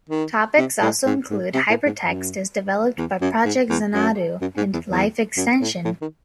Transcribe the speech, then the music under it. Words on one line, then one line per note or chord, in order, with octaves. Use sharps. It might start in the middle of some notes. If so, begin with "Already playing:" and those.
Topics also include hypertext as developed by Project Xanadu and life extension.
D#3
C3
A2
G#2
G#2
C3
A2
G#2
F#2
E2
F#2
G#2
E2
F#2
F#2
G#2
E2
E2
F#2
A2
A2
D#3